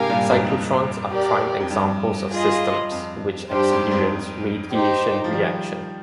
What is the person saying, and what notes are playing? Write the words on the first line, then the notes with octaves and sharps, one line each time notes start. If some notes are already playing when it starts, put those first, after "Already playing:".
Cyclotrons are prime examples of systems which experience radiation reaction.
Already playing: G#2 C3 G4 A#4 F5 G#5
G2 A#2
F2 G#2
F2
G4 A#4 D5
F2
G2
F4 G#4 D#5
F2
G2 D4 G4 C5 G5
F2 G#2
F2 G#2
D#4 G4 C5
F3
D#3 G3